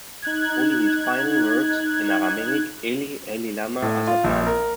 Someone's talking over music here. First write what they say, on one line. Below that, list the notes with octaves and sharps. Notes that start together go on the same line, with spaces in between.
Only his final words, in Aramaic, Eli, Eli lama asabthani?
D#4 F#6 G#6
A2
F4
A#1
A#4